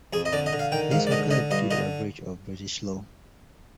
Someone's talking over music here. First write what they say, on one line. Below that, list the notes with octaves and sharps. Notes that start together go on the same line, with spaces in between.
This occurred due to a breach of British law.
F2 G#4
D#5
D3 D5
D#5
D3
F5
D#3 G5
G#2 F5
D5
D3 D#5
D3 D#5
G2 D#5
D3 D#5